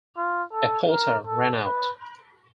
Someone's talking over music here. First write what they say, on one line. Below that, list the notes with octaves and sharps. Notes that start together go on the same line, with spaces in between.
A porter ran out.
F4
A4
A#4
A4
B4